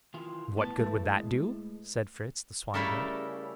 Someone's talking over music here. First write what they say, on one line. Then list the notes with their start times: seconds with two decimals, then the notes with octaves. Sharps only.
"And what good would that do?" said Fritz, the swineherd.
0.14 D#3 E3 F4
0.57 A2 B3 A5
0.80 E3 A3
1.06 G#3
2.74 C#3 G3 A3 E4 A4 A#4